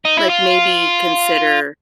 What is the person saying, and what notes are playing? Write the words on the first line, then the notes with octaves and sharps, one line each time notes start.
like maybe consider,
D#4
E4
F4